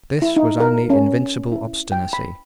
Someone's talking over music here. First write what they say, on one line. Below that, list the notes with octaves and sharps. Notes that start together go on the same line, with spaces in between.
This was only invincible obstinacy.
E4
D#4
A#4
C#4
E4
G5
B5